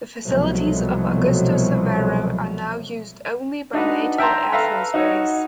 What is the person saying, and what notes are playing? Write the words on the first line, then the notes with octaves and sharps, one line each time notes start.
The facilities of Augusto Severo are now used only by Natal Air Force Base.
C2 B2 F3 F#3 A3
D4 D#4 F#4 B4
E5 G5 A5 A#5 C6
A4 B4 E5 F5 A#5
D#4 F#4 C#5